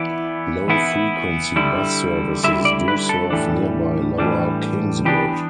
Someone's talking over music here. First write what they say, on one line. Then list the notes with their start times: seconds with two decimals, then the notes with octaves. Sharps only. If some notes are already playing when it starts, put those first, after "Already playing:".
Low-frequency bus services do serve nearby Lower Kingswood.
Already playing: E3 B3 E4 D5
0.68 E3 B3 E4
1.56 D3 G3 E4
2.43 D3 G3 E4 E5
2.65 D5
2.88 B4
3.09 A4
3.30 A2 E3 G3 D4
4.18 A2 E3 G3 D4
5.05 E3 B3 D4 G4